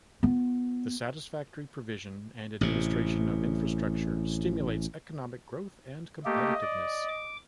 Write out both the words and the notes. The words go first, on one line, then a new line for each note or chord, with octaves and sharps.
The satisfactory provision and administration of infrastructure stimulates economic growth and competitiveness.
B3 F4
A1 A2 C3
A3 A#3 G4 D#5
D5
D6